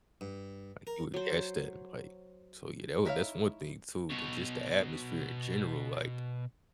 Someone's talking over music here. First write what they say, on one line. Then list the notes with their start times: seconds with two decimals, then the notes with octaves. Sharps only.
like you would guess that, like, so yeah, that w that's one thing too, then just the atmosphere in general like.
0.21 G2
0.87 A#4
1.14 F#3 C5
3.05 D#4 E4 A#4 C#5 F5
4.10 B2 C#5